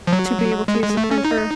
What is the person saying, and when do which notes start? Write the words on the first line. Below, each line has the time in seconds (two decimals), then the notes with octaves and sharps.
to be able to use the printer.
0.07 F3
0.13 F#3
0.68 G#3
0.83 G#3
0.97 A3
1.11 C#4
1.25 D#4